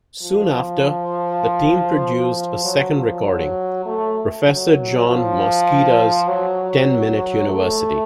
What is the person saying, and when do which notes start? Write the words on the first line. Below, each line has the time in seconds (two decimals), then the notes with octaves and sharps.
Soon after, the team produced a second recording, Professor John Moschitta's Ten Minute University.
0.22 F3
2.65 F#3
2.95 F3
3.24 F#3
3.86 A3
4.46 F#3
5.07 F3
6.28 F#3
7.49 A3